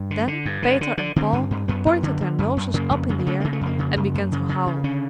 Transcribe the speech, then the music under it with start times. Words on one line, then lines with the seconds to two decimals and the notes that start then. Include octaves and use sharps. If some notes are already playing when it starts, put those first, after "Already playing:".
Then Peter and Paul pointed their noses up in the air and began to howl.
Already playing: G2
0.11 D3
0.27 D3
0.46 G2
0.62 D3
0.81 D3
0.98 D3
1.16 D3 C4
1.33 G2
1.51 G2
1.68 F#2 B3
1.86 F#2
2.03 D3
2.21 D3
2.39 F#2
2.57 F#2
2.74 C#3 A#3
2.91 F2
3.09 C#3
3.19 A#3
3.26 C#3 A3
3.40 C#3 A#3
3.53 A3
3.61 F2 A#3
3.79 C#3
3.96 F#2
4.14 F#2
4.32 C#3
4.49 C#3
4.66 C#3
4.84 D3 C#4